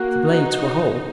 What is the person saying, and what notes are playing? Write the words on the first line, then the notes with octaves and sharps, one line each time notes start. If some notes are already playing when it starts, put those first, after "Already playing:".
The blades were whole.
Already playing: A#3 F#4
D#4